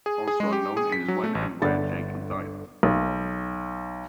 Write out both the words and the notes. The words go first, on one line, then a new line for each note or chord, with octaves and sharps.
Also unknown is when and where Jacob died.
G#4
G#4
G#3
G4
G#4
B6
F#3
A3
A1
G1 D3 D5 F#5 B5 A6
B1